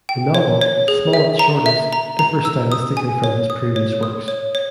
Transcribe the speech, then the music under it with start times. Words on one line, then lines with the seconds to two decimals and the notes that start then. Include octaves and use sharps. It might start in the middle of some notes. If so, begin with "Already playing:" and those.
The novel, Smollett's shortest, differs stylistically from his previous works.
0.09 G5
0.34 C#5
0.61 C#5
0.88 G#4
1.13 E5
1.39 A#5
1.66 E5
1.93 A#5
2.19 A#5
2.45 E6
2.72 D#6
2.97 G#5
3.24 C#5
3.50 D#6
3.76 C#5
4.03 D#6
4.28 C#5
4.55 C#5